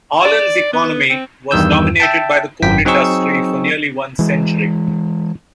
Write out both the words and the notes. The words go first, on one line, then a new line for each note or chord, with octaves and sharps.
Ahlen's economy was dominated by the coal industry for nearly one century.
D5
B3
C4
E2 G2 D#3 E6 G6
E5 G5 A5
G#1 F#2 G5 B6
F#3 C4 D#4 G#4 C#6 E6
E3 G#3